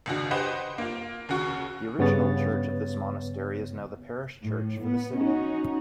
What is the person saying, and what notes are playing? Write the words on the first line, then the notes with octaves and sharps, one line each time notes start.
The original church of this monastery is now the parish church for the city.
G#1 C#2 D4 F#4
G4 B4 C5 D#5 F#5
A#3 F4
D#2 C#3 F#4 F#5 C#6
G2 C#3 B3 B4 C#5 A6
A2
B3
C#4 D#4 F#4